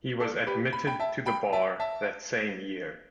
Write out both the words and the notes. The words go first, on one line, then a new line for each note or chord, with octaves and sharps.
He was admitted to the bar that same year.
A4 D5
G4 B4
B5
G5 B5
E5 A5
G5 B5
E5 A5
E5 A5